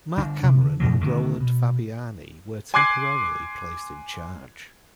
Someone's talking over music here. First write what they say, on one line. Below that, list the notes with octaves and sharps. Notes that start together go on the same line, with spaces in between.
Mark Cameron and Roland Fabiani were temporarily placed in charge.
G1 D4
C3
D3
F#2 B2 F3 F#3
A1 D3 D#3
B2
G#5 C6 D6 F#6 G#6 C7